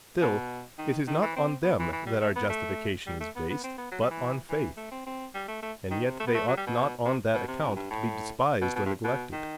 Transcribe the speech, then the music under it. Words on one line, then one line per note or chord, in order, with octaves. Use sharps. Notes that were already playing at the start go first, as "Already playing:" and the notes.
Still it is not on them that our justification is based, but on faith; and yet they ought not on that account to be despised or neglected.
B2
D#3
D#3
E3
C4
B3
E3
E3
G3
A3
B3
A3
G3
A3
B3
B3
C4
B3
F#3
G3
E3
E3
A3
C4
C4
G3
A3
A3
D#3
C3
A3
B3
A3
F#3
G3
B2
C3
B2
C3
F#2
G2
A2
B2
B2
G2
B2
D#3